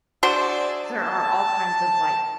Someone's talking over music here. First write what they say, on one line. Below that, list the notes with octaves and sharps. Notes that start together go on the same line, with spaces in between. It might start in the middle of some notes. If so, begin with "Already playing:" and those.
There are all kinds of, like,
D4 F#4 G#4 C5 D5 E5
A5